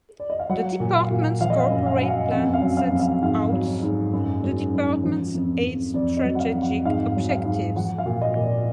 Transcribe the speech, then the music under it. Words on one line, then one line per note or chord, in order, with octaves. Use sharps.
The department's Corporate Plan sets outs the department's eight strategic objectives.
D5
D#5
F5
F#3 F#5
A#2
F5
A#2
F3 F5
D#5
F5
F#2
F5
F#2 F#5
F5
F2 F#5
F5
F#3
F5
F2
F5
G#2 F5
F#3
G#2
F#2
F#3
F#2
F3
F2
F2
F2 D5
D#5
F#3
F#5
F5
F2
F#5
G#2 F5
F#3
F5
G#2
F3 F#5
F5
A#2
D#5
A#2
D5